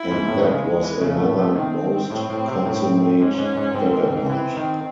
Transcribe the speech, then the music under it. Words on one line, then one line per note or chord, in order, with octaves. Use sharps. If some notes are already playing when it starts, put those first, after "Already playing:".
And that was another most consummate vagabond!
Already playing: E4
G#2
A2
C#3 G#3
E3
C#3 A3
A2
C3
D#3 C4
A2
A2
C3
A2
G#2 C#4
G#2
G#2
G#2 C4
G#2
G#2
E3 C4
D#3